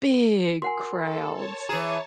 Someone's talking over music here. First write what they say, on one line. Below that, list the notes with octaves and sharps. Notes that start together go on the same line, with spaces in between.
big crowds.
F#4 A#4 F#5 G#5 C6
A4
C#5 A5
E3 G#4 A#5